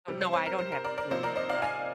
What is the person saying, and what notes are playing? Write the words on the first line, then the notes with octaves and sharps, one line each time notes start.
So, no, I don't have a clue, but
C3 G3 C4
C5
C5
A#4
C5
A#4
A#4 D5
A#4 D5
C3 F3 A#3 D#4 C5
A#4 D5
C5 D#5
D5 F5
F5 G#5